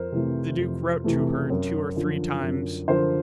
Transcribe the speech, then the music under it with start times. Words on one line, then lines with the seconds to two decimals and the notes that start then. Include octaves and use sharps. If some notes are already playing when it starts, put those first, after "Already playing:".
The duke wrote to her two or three times.
Already playing: F2 A#4 C5
0.12 C3 E3 A3
0.58 F2
1.04 C3 E3 A3
1.50 F#2
1.96 D3 F3
2.42 F#2
2.88 D3 F3 A#4 C5